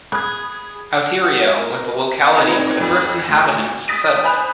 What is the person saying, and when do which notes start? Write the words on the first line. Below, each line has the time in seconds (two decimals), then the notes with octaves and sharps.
Outeiro was the locality where the first inhabitants settled.
0.12 G#4 B5 D#6 F#6 G#6
1.11 F#5
1.38 C#5
1.57 A#4
2.37 C4 D#4 B4 D#5 A#5 G#6
2.56 C4 D#4
2.80 F2
3.29 D2
3.88 D#6 A6 B6 D7 D#7
4.23 C5 G#5 B5 F#6 F7